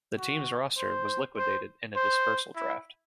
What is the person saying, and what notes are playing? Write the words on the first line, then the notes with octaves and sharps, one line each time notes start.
The team's roster was liquidated in a dispersal draft.
F#4
C5
C5
C5
E4